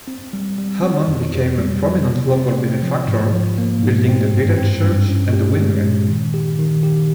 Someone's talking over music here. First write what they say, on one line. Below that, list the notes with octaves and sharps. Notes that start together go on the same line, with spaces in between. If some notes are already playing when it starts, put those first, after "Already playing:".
Hammond became a prominent local benefactor, building the village church and the windmill.
C4
G3
G3
C4
F2
F2
G3
G3
C3
C4
C4
F3
G#2
F3
A#3
G#2
C4
G2
C4
G2
C#4
G4
G#3
A#2
D#3
G4
D#3
G4